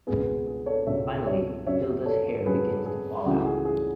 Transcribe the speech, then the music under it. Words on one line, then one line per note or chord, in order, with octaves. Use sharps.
Finally, Hilda's hair begins to fall out.
C#2 B2 G#3 B3 G#4 B4
G#4
G#4
A4 C#5
C#2 B2 G#3 B3 C#5 E5
C#5 E5
F#2 C#3 F#3 C#4 C#5 E5
A4 C#5
F#2 C#3 F#3 C#4 G#4 B4
G#4
C#2 C#3 E3 A3 F#4
G#4
G#4